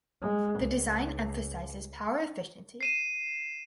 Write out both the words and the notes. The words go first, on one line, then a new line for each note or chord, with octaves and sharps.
The design emphasizes power efficiency.
G#3
C#2
C7 D#7 E7